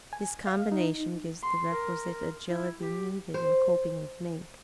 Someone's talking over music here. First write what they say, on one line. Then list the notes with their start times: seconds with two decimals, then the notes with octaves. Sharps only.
This combination gives the requisite agility needed in coping with mink.
0.13 G#5
0.47 F5
0.72 D#4
1.42 C6
1.71 A#4
2.49 E4
2.80 G4
3.34 C5